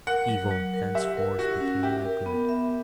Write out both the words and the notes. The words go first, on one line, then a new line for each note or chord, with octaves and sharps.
Evil thenceforth became my good.
A#4 F#5
F#3
F#3
A#4
G4 E5
A#4
F#4 G4
C#4
G4 E5
A#4
B3
E5